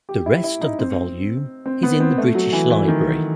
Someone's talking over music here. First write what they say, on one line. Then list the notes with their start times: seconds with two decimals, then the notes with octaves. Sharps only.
The rest of the volume is in the British Library.
0.09 G4
0.26 E4
0.44 E4
0.61 D#4
0.79 C4
1.66 C4
1.83 B3
2.00 C4
2.18 A3
2.35 F#3
2.53 E3
2.70 E3
2.88 D#3